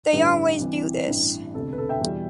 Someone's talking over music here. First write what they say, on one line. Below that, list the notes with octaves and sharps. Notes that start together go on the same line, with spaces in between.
They always do this.
A1 G2 D3 G3 G4 B4
C2 C3 E3 G3
A1 G2 E3
E1 D2 C3 A4
B4
A4
E5 G5
E2 B2 G3